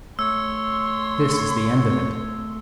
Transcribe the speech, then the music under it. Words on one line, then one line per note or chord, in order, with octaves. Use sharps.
This is the end of it.
A3 C#5 C6 E6